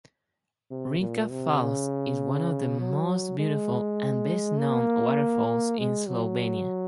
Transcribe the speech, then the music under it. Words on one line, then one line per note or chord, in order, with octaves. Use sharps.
Rinka Falls is one of the most beautiful and best-known waterfalls in Slovenia.
C3
A#2
C3
C#3
F#3
G#3
A#3
G#3
F#3